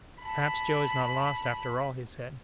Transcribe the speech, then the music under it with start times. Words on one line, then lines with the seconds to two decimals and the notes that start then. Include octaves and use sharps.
"Perhaps Joe is not lost after all," he said.
0.24 A5 B5